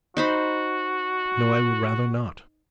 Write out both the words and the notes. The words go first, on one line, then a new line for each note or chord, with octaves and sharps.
'No, I would rather not.'
D#4 F#4 C5 B5